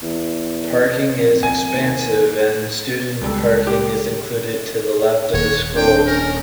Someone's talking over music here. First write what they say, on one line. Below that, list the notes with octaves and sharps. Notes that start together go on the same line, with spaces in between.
Parking is expansive and student parking is included to the left of the school.
E2
F2
G#5
D#2
C#2 G3 A4
G4
D#1 A#3 C#5
C4 D4 G5
C#4 A#4